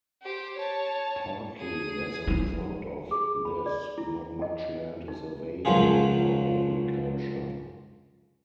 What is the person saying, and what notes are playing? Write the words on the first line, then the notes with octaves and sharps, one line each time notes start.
Partly as a result of this, not much land is available for agriculture.
G4 C5
C#5 A5
G#4 D#7
F3 D#4
G#4
B5
D5
E4
D#5
D#4
C#2 F#2 F3 F#3 F4 G#4